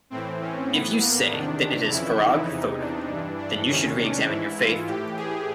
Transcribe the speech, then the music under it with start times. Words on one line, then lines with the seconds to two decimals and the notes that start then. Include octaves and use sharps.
If you say that it is Farag Foda, then you should reexamine your faith.
0.10 A2 E3 C4
0.41 C#4
0.70 A2 E3 B3
1.00 A#3
1.29 E2 C3 D#3 D4
1.89 F2 C#3 E3 E4
2.20 D#4
2.48 E2 C3 E3
2.79 D4
3.08 G2 E3
3.38 D4
3.68 E2 C3 D#3 C#4
3.99 D4
4.27 G#2 E3 E4
4.57 F4
4.87 A2 E3 G4
5.16 G#4